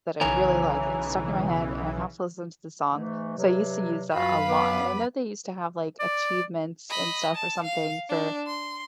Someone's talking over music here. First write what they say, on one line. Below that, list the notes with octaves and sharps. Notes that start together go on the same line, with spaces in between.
that I really like, and it's stuck in my head, and I have to listen to the song. So, I used to use that a lot, and I know they used to have, like, achievements and stuff or something for,
B1 C#3 E3 C#5 G#5 A#5
G#2 E3 A3
G2 C3 F#3
F#2 F4 F#4 B4 F5 B5
B3 D6
D5
D#5 B5
A5
F5
D4
C6